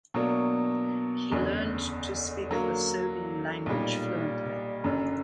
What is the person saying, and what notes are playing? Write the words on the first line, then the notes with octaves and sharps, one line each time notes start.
He learned to speak the Serbian language fluently.
B2 F#3 A#3 D4
F#1 E2 D3
D3 F#3 A#3
B1 A#2 G3
F#1 F#2 D3